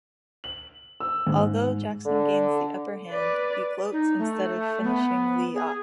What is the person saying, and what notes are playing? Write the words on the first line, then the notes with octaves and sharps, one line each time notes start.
Although Jackson gains the upper hand, he gloats instead of finishing Li off.
F#7
E6
G#2
D3
B4 D5
D#4
A3
B3
G#4